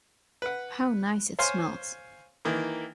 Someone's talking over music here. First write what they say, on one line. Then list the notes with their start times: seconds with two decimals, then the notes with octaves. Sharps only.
How nice it smells.
0.42 B4 F#5
1.39 C5 C#5 F5 G#5 C6
2.45 D#3 E3 A#3